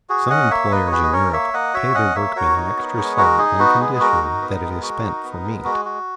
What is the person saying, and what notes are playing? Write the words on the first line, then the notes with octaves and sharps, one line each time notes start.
Some employers in Europe pay their workmen an extra sum on condition that it is spent for meat.
F#4 G#4
C#4 D#5 F#5
A#3 C#5 E5
A#3 B4 D#5
C#5
F#4 G#4 B4
D#5
C#4 A#4 C#5
A#3 C#5 E5
A#3 D#5 F#5
F#4 C#5 E5
C#4 D#5 F#5
A#3 C#5 E5
F#4 A#4 C#5
D#4
B3
G#3
F#4 A#4
D#4 G#4
B3 F#4
G#3 G#4
G#4
F#4 A#4
D#4
B3
G#3
F#4
D#4
B3
G#3
G#3 F#4
F#4